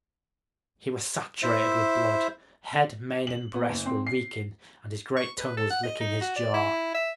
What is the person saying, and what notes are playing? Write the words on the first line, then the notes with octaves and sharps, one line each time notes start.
He was saturated with blood: head, mane and breast were reeking, and his great tongue was licking his jaws.
E4 C5 E5
F#7
B3
F#1
C4
C7
C#6
B4
A4
F#5
D#5
D#4
F#4
D5
E4
E5